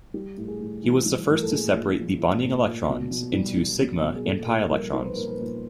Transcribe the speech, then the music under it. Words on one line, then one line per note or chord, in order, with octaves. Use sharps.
He was the first to separate the bonding electrons into sigma and pi electrons.
G3 G4
A2
G#4
A2
E3
G3
A2 A#4
A4
A#2 G#4
A#2
F3
F3
A#2
A#2
B2
B2
G3
G3
B2
B2
G#4
A#2 A4
A#2 A4
G3 A#4
G3 C5
B4
A#2 A#4
B4
A#2